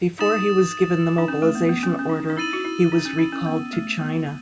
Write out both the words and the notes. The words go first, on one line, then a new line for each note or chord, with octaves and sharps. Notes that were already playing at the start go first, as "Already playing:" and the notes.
Before he was given the mobilization order, he was recalled to China.
D#4 D#6 A6 E7
D#4
C#4
A3
B3
B3
C#4
C#4
D#4
D#4
E4 E6 A6 D#7 F#7
F#4
E4
D#4
C#4
E4
C#4
B3
A3
B3